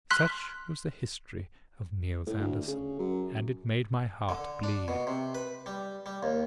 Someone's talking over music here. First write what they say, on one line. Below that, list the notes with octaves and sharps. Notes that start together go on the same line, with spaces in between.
Such was the history of Niels Andersen, and it made my heart bleed.
C6 F6 F#6 B6
A2
D2
C#3
F#2
D3
D4
B2
C3
B4
G3
G3
D#2